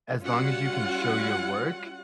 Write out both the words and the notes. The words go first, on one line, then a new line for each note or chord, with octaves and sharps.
as long as you can show your work
G3 C#4 F4 F#4 F#5